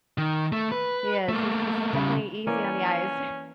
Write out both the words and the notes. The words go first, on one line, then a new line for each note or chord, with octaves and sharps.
He is, he's he's definitely easy on the eyes.
D#3
A3
B4
A3 A#3
C#3 G3
E3 A#3 C#4 D5